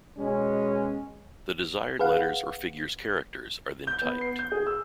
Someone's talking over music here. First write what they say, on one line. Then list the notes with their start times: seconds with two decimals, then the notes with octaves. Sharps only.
The desired letters or figures characters are then typed.
0.17 B2 G#3 C#4
1.99 G#4 B4 F5 F#5
3.87 G6
4.02 B3
4.21 C7
4.39 G6
4.52 G#4
4.67 E6